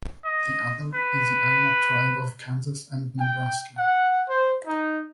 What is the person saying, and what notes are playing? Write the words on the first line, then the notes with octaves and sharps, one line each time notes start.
The other is the Iowa Tribe of Kansas and Nebraska.
D#5
B4
G5
F#5
C5
D#4